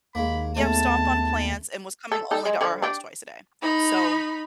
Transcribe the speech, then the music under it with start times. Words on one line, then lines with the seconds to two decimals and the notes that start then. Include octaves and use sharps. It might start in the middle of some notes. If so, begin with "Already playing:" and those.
Yep, stomp on plants and was coming only to our house twice a day. So,
0.15 D#2 G#3 A#3 B5
0.57 G#3 A3 B3 C#4 A5
2.12 A4
2.31 D#4 A4
2.45 G#3
2.61 D3 F3
2.82 D4 G4
3.62 D#4 B5